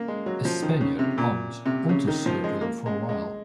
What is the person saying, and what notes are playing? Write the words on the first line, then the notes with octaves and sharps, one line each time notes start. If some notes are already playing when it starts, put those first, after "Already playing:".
A Spaniard, Oms, also served with them for a while.
Already playing: A#3
G#3
F#3
F3
D#3
C#3
C3
A#2
C3
C#3
D#3
F3
G#3
A#3
G#3
G#3